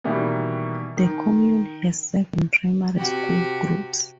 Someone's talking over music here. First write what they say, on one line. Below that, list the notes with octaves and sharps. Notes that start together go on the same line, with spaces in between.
The commune has seven primary school groups.
B2 D#3 E3 G3 A#3 B3
D#3
C3 F#4 G4